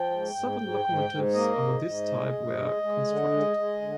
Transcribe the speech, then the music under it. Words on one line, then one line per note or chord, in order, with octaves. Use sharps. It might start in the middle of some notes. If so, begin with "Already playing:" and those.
Seven locomotives of this type were constructed.
Already playing: F3 G5
G#2
G#2
G#2
G#2
G#2
A#3 D#5
G#2
G#2
G#3
G2
G#3
G#3
D3
G#3
G#3
D3